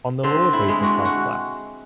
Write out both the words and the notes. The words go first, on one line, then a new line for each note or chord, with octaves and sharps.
On the lower base are five plaques.
D3 C4
E4
G#3
F#4
F#4